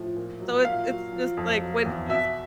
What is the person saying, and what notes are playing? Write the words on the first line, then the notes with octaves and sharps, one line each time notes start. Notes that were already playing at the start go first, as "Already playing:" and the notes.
So it's it's just, like, when he's
Already playing: A2 F3
A#2
F#3
A#2 F5
F#3
F3
F2
F#3
E2
B2 E5